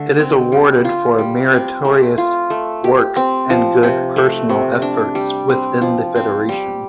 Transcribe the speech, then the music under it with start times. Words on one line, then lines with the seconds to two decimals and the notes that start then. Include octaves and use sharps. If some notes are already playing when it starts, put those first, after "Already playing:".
Its awarded for meritorious work and good personal efforts within the federation.
Already playing: D3 A3
0.19 C4
0.52 G3
0.85 F4
1.18 G3
1.52 C4
1.85 A3
2.18 F4
2.50 A3
2.84 G4
3.16 C4
3.50 F3
3.83 C3
4.16 A3
4.49 C3
4.82 D4
5.15 G3
5.49 C4
5.81 F3
6.15 C4
6.49 G3